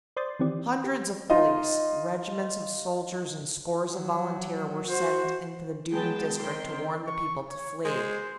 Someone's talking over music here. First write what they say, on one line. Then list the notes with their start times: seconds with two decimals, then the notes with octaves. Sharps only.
Hundreds of police, regiments of soldiers and scores of volunteers were sent into the doomed district to warn the people to flee.
0.17 C5 D5 C6 D#6 G6 A6
0.39 D#3 E3 C4 G4 D5
0.84 G4
1.30 D#4 F4 D#5
3.90 F#3
4.87 F#4 C5
5.93 F#3 G#3 B3 G5 A5
6.38 D#3 C4 G5 C6
7.07 C#6
7.49 C#5
7.85 G#3 C5